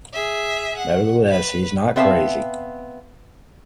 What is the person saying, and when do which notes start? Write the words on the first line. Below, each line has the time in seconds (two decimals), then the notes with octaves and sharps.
Nevertheless, he is not crazy.
0.13 G#4 E5
0.77 F#5
1.30 B4
1.96 B3 C4 E5 F5 A5